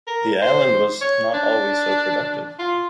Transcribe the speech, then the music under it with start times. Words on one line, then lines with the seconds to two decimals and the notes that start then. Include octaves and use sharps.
The island was not always so productive.
0.07 A#4
0.42 C5
1.01 C#5
1.34 D4
2.59 F4